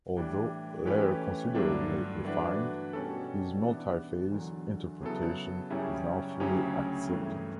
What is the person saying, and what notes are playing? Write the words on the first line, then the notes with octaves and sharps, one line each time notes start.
Although later considerably refined, his multi-phase interpretation is now fully accepted.
A2 E3 G3 D4
E3 A3 C#4 G4 B4
G2 D3 F#3 A3 D4
E3 A3 D4 F#4 B4
B2 G3 C#4 F#4 A4
E3 B3 D4
E2 D3 F#3
C#3 F#3 B3 E4 A4
F#2 C#3 G3 C#4 E4
D2 C#3 F#3 C#4 G4
G2 E3 A3